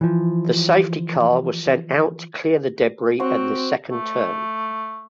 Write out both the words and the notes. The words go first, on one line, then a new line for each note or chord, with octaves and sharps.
The safety car was sent out to clear the debris at the second turn.
E3 F3
C4 F#4 C5
A3